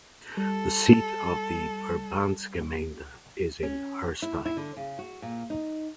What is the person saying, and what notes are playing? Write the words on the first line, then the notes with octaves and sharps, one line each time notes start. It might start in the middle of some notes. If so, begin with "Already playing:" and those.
The seat of the "Verbandsgemeinde" is in Herrstein.
G3 A4
C#4
E4
E4
D3
C#3
F#4
A#2
D#4